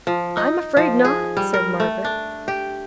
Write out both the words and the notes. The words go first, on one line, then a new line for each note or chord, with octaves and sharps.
'I'm afraid not,' said Margaret.
F3
D#4
F3
G#4
G3
A#4
A3
D4
G4